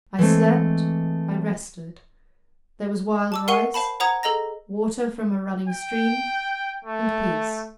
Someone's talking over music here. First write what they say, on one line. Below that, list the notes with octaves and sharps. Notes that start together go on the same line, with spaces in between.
I slept; I rested; there was wild rice, water from a running stream--and peace!
E3 G#3 A3 C4
A5 D6 E6
A#4 F5 F#5 C#6 D#7 G7
C5 F5 A5 B5
C5 F#5 A#5 D#6 G#6
G#4 A4 D#5 A#5 A#6
G5
A3